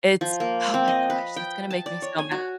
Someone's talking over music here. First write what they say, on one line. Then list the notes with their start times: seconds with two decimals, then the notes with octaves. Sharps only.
It's oh my gosh, that's gonna make me so mad.
0.21 F3
0.40 A#3
0.74 C4
0.88 D#5
1.10 B4
1.36 G5
1.70 A5
1.86 D5
2.02 C#5
2.18 G#5
2.31 F#4